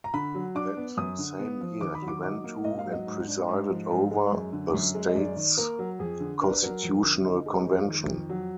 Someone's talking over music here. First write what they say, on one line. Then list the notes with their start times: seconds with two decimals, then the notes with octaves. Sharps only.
That same year he went to, and presided over, the state's constitutional convention.
0.04 A#5
0.14 D3 B5
0.35 F#3
0.55 D4 D6
0.77 B3
0.97 F#2 D#6
1.18 D3
1.39 B3
1.61 F3
1.81 D#3 D6
1.95 B5
2.02 F#3
2.08 D6
2.23 D#4 D6
2.44 A#3
2.65 G#2 D#5
2.79 F5
2.86 F#3
2.92 D#5
3.07 G#2
3.28 D4
3.48 G#2
3.69 F3
3.91 G#2
4.11 G#3
4.32 F#2
4.53 D3
4.74 F#2
4.95 G#3
5.09 D#5
5.16 F#2 D5
5.36 D#3
5.57 A#3 A#4
5.79 F#3
5.99 F2 G#4
6.20 D3
6.41 D4 A#4
6.52 B4
6.62 F#3 A#4
6.83 F2
7.04 D3
7.25 D#4
7.46 G#3
7.67 F2
7.88 D#3
8.09 F2
8.29 F#3